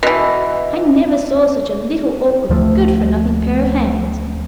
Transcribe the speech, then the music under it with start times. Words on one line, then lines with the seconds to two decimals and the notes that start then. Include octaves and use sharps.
I never saw such a little awkward, good-for-nothing pair of hands.
0.03 B2 E3
2.49 D2 F3 G3 A3